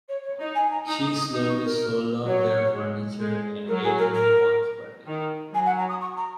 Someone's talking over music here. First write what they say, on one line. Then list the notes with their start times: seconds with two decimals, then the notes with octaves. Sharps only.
She slowly sold off their furniture and ate only once per day.
0.08 C#5
0.23 C#5
0.39 D#4 D#5
0.55 G#5
0.70 A#5
0.86 D#4 A#5
1.02 D#6
1.17 D#6
1.33 D#4 D#6
1.48 C#6
1.64 A#4
2.26 F#3 C#5
2.73 G#3
3.20 G#3
3.67 F#3 A#4
3.83 G#4
3.98 A#4
4.14 A#4
5.07 D#3
5.54 F#3 G#5
5.65 F#5
5.77 A#5
5.89 D#6
6.01 C#6
6.16 A#5